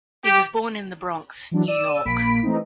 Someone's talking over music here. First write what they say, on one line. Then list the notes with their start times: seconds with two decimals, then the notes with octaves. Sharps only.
He was born in The Bronx, New York.
0.24 G4
1.51 E3 F#3 D4
1.67 D5 E6 D#7 E7
2.05 A#1 A#3 B5 B6 D7
2.43 E3 A3 C4 D#4